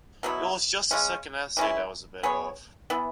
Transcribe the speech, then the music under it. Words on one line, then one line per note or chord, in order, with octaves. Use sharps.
It was just the second essay that was a bit off.
B2 F#3 B3 E4
C#3 G#3 C#4
E3 G#3 C#4 E4
B3 G#4 C#5
E3 B3 E4